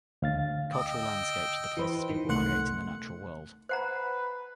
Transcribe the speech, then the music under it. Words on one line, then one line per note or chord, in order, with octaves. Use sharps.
Cultural landscapes are the places people create in the natural world.
D2 F5 A6
D#5 G5 E6
E3 B4 C5
D#3
C2 A3 F#5 C6 F#6
B4 C5 F#5 A#5